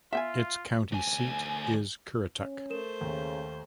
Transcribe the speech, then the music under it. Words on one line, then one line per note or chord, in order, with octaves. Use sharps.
Its county seat is Currituck.
B3 F4 E5 G5 G#5
D2 G#5
C#4
A3 A#4 C5 E7
D#2 C#3